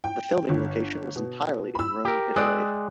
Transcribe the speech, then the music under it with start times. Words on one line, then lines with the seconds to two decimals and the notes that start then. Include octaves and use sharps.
The filming location was entirely in Rome, Italy.
0.04 G5
0.49 G1
1.16 B2
1.75 B5 E6
2.05 G4 A#4
2.36 G#3 D5 G5 D#6 E6 F#6